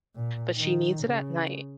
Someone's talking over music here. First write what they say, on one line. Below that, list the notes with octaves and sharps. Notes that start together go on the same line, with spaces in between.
but she needs it at night,
A#2
D#3
C#3